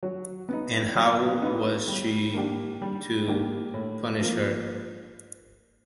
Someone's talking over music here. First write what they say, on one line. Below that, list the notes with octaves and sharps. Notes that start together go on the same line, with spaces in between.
And how was she to punish her?
F#3
B3 D#4
F#3
B3 D#4
G3
A#3 D4 G4
G3
A#3 D4 G4
A2
F3 A#3